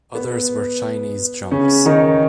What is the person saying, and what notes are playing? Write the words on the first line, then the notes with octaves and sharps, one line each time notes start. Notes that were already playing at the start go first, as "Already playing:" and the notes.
Others were Chinese junks.
B3
C#3 C#4
D#3 D#4